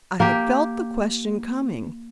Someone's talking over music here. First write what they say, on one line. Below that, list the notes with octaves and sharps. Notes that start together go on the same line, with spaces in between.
I had felt the question coming.
A#3 G4